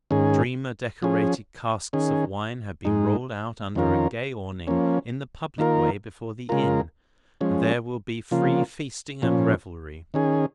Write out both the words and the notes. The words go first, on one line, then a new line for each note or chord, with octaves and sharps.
Streamer-decorated casks of wine have been rolled out under a gay awning in the public way before the Inn, and there will be free feasting and revelry.
G#2 D#3 C#4 G#4
F3 C#4 G#4
D#3 C#4 G#4
G#2 G#3 D#4
F2 D#3 C#4 F4 A#4
F3 A#3 C#4
D#3 A#3 F4 A#4
C#3 G#3 F4 A#4
F3 G#3 C#4
C#3 F3 A#3 F4
A#2 F3 C#4
D#3 C#4 G#4